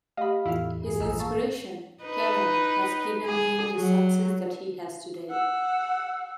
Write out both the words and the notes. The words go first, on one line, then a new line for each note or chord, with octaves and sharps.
His inspiration, Karen, has given him the success that he has today.
A3 G4 D#5 F5 B5
E2 A2 E4 F4 F5
G2 E3 G#4
A#1 D#5 G#5 A#5 E6
A#3 F5 A5 C#6 E6
D#4 B4
G#4
F#3
F#5 E6